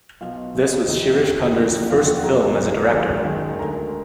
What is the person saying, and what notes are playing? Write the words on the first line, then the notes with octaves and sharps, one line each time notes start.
This was Shirish Kunder's first film as a director.
B1 B2 F#3 F4 F5
B1 B2 F#3
F1 D#2 D#3 D#4 D#5
F1 D#2 D#3
F1 D#2 D3 F#3
F1 D#2 D3 F#3 F4 F5
F#4 F#5
B1 B2 F#3 A#4 A#5
B1 B2 F#3
G#1 F#2 D#3 G#3
G#1 F#2 D#3 G#3
D2 D3 G#3 A#4 A#5